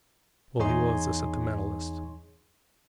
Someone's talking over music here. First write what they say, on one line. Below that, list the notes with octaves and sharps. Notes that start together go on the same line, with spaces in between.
Well, he was a sentimentalist.
E2 D#4 G#4 C#5 G#5 C6